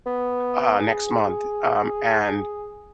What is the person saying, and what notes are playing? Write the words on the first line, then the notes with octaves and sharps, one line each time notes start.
uh, next month, um, and
B3
G#4